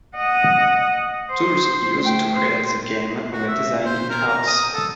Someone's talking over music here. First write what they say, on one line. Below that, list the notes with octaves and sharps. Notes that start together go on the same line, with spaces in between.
Tools used to create the game were designed in-house.
D#5 F#5
C5
A3 G5
C5
F#4
E5
C5
A#4
A#5
D#6
A4